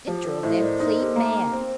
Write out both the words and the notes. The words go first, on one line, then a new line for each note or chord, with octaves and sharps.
It drove them clean mad.
F3 G4
A4
A2 C5 D#5
D#5
A#4 D5
D#4 C5
A#4
A4
G4 A#4
A#3
C4